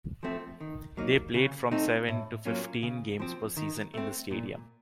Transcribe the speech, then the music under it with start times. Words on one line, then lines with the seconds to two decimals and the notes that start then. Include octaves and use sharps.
They played from seven to fifteen games per season in the stadium.
0.23 F3 A3 C4
0.60 D#3
0.97 F#3 A#3 D#4
1.35 C#3
1.71 A3 C4 D#4
2.08 A2
2.46 F#3 A#3 C#4 F4
2.83 C#3
3.20 F3 C4
3.57 D#3
3.94 A3 C4
4.31 A#2